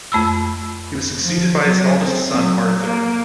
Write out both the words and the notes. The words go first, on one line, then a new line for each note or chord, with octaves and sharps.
He was succeeded by his eldest son Arthur.
F2 A3 B5 E6
F3
F#3
C4
F#3
A#3